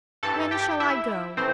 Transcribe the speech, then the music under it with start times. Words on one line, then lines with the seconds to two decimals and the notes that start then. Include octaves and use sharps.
When shall I go?
0.23 G2 E3 A4 A5
0.51 G4 G5
0.80 E4 E5
1.37 A2 E3 C4 C5